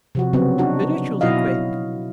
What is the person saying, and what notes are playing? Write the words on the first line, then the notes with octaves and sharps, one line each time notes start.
Spiritually quick.
C3 F3 F#4
C#3 F#3 B3 C4
D4 D#4 F#4
B2 F#3 E4 F#4 D#5 F5